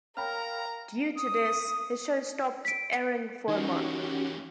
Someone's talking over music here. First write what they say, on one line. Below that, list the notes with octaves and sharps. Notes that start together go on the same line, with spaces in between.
Due to this, his show stopped airing for a month.
A#4 C#5 F5 G5 A#5 B5 F6
D#6
B6 D7
E3 A#3 C#4 D#4 F#4 G4